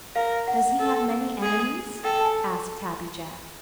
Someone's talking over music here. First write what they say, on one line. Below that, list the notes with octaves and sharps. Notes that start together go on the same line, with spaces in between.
"Does he have many enemies?" asked Happy Jack.
A#4 F5
F#5
A4
G#4
A4 G5
A5
G#5